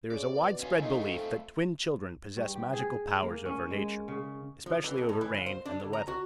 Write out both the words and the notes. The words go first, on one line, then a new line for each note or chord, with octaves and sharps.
There is a widespread belief that twin children possess magical powers over nature, especially over rain and the weather.
C#3 D5
B2
C#4 F4
A3 D#4 F4
F2
G2
G4
G#4
A#3
C#4
G#3
C#3
F3
E3
F2
A2
E3
F5
C5
D4
D2
A#5
F#4